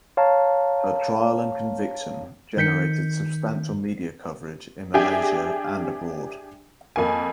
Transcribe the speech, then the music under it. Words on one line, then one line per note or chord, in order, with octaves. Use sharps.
Her trial and conviction generated substantial media coverage in Malaysia and abroad.
C#5 F5 A5 A#5
D#3 G6 B6 C#7
D4 G4 G#4 E5 G5 G#5
F2 A#3 G#5